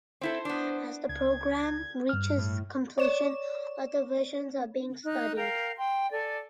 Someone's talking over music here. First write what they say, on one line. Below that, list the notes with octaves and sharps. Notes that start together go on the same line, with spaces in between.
As the programme reaches completion, other versions are being studied.
C4 E4 A4 C5
B3 D4
C#2 G#6
G2 F6
A2
C#5 D5 E7
D#4 F#6
A#4 F5 G5
G5 C6
A4 D5 G#5